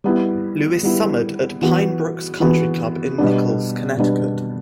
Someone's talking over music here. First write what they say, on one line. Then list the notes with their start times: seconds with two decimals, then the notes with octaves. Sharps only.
Lewis summered at Pine Brook Country Club in Nichols, Connecticut.
0.04 G3 B3 E4
0.83 G3 B3 E4
1.62 E3 B3 F#4
2.40 E3 B3 F#4
3.18 B2 G3 B3 D4
3.97 B2 G3 B3 D4